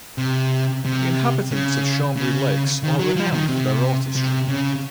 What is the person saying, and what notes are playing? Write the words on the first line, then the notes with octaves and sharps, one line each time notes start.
The inhabitants of the Chambri Lakes are renowned for their artistry.
C3
C3
C#3
C#3
D#3
F#3
F3
D#3
C3
C3
C#3